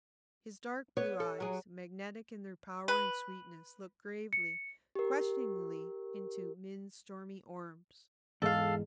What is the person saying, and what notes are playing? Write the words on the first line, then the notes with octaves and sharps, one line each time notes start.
His dark-blue eyes, magnetic in their power and sweetness, looked gravely, questioningly, into Min's stormy orbs.
B3 C#5
A4
F#3 G#4
B4
C#7
G4 A#4
E2 G#2 A4 F5